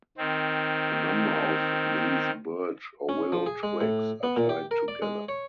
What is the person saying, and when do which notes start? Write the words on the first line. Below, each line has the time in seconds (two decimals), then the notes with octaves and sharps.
A number of these birch or willow twigs are tied together.
0.18 D#3 C4
3.09 C#4
3.32 F3
3.46 G#4
3.63 G#3
3.81 A2
4.23 B3
4.36 A#2
4.49 G4
4.71 A#4
4.88 D5
5.02 G#3
5.29 C#5